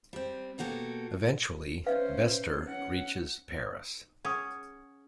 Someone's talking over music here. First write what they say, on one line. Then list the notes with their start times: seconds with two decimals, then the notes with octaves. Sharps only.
Eventually, Bester reaches Paris.
0.13 G3 C4
0.58 B2 A#3 F#4 G4 A4
1.86 C#4 B4 C5 E5 F5
2.64 C#4 F#5
4.25 C#4 G#4 F#5 D#6